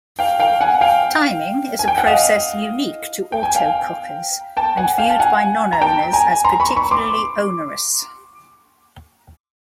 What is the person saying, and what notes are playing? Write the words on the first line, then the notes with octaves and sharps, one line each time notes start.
Timing is a process unique to Autocockers, and viewed by non-owners as particularly onerous.
F5 G5
F5 G5
F#5 G#5
F5 G5
G#5
G5
F#5
D#5 F5
G5
G#5
F5 G5
G5 A5
F#5 G#5
F5 G5
A5
F#5 G#5
A#5
G5 A5
G#5 A#5
A#5 C6
B5 C#6
B5 C#6
C6 D6